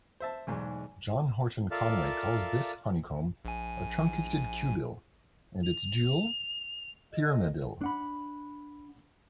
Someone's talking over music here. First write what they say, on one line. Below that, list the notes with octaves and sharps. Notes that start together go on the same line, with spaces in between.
John Horton Conway calls this honeycomb a truncated cubille, and its dual pyramidille.
C5 E5 A5
B1 E2 G#2
F4 A4 A#4 D5 E5 F5
A#1 G#5
F7
D#5
D4 F#5 B5